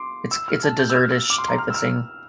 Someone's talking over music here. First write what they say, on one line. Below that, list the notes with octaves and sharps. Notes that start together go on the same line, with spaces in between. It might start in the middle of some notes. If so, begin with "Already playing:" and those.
It's it's a dessert-ish type of thing.
Already playing: C6 D6
E6
F6
A5
G6
E6
F6
E6
D6
C6
A#5
F6
E6
F6